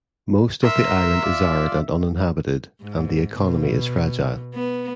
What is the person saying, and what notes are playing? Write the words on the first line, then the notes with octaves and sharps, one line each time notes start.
Most of the island is arid and uninhabited and the economy is fragile.
A#4 E5 A#5 C6
F4 D5
G#2
B2
B3